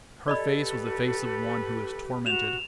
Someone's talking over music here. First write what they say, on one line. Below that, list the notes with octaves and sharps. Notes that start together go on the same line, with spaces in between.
Her face was the face of one who is tormented.
G4 A4 B4 D5 D#5 B5
F#4 E7 F7